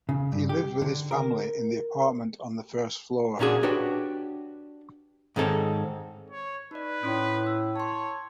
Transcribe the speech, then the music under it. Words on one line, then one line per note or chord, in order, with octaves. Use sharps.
He lived with his family in the apartment on the first floor.
C#3
G2
G4
D3
A#4
A#2 A#3 C#4 D4 F#4 G#4
D4 F#4 G4 B4 C#5
G#2 D#3 C4 A4 C#5
C#5
D#4 B4 D5
A2 C#4 C6
E6
C#5 A5 C6